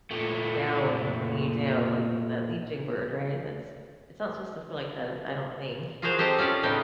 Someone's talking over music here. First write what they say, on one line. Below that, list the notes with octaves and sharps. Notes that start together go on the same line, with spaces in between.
down, bringing you down, like, l that leaching bird, right? That's it's not supposed to feel like that, I don't think.
A#2 A3
F4 F#4 G#4 A#4 C5 F5
C4 G4 A4 D#5
C#4 F4 G4 D5
A2 C#3 B3 D#4 G5